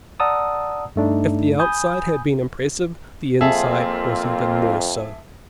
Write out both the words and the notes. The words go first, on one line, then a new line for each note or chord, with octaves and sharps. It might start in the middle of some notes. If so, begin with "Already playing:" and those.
If the outside had been impressive the inside was even more so.
D5 F#5 A5 A#5 D#6 E6
G2 A3 D4 D#4
G#5 B5 D#6 G6
F2 A#3 C4 F4 G#4 E5 A5